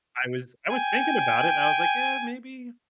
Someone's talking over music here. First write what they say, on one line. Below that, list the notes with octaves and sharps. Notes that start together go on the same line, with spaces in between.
I was I was thinking about it, and I was like, "Yeah, maybe.
G5 G#5